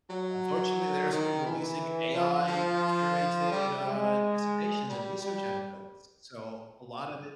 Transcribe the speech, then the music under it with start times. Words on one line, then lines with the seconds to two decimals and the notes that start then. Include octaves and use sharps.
unfortunately, there are some people releasing AI curated, uh, dissertations and research anecdotes, so, a lot of it
0.09 F#3
1.12 D#3
1.46 E3
2.14 F3
2.48 F3
3.51 G3
3.85 G#3
4.87 G3
5.22 G3